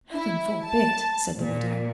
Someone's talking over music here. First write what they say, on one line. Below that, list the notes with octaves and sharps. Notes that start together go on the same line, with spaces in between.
"Heaven forbid!" said the widow.
E4
A5
A#2